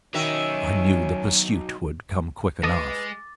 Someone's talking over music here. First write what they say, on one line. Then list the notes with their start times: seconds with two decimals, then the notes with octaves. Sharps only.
I knew the pursuit would come quick enough.
0.14 D#3 F#3 C#4 D#4 E5
2.63 G#3 A4 B4 D#5 D6 A6